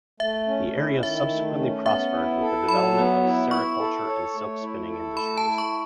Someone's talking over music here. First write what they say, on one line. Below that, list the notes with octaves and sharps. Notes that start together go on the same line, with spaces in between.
The area subsequently prospered with the development of sericulture and silk spinning industries.
A3 E5
C#4
E4
D#3 E5
A3
C#4
B3 E5
E4
A4
F#3 B5
B3
E4
E4 C#6
A4
C#5
A3
E4
A4
A3 B5
A5
E4
C#6